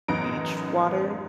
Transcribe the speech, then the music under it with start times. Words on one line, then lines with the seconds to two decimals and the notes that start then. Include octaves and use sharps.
beach water
0.08 A1 F#2 B3 D#4 A#5 D7